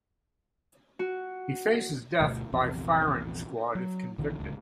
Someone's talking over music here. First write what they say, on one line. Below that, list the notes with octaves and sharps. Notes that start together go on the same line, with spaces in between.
He faces death by firing squad if convicted.
F#4
G1 D2 B2 A3
A#1 E2 C3
F#3
A#1 D3 E3
D1 C#2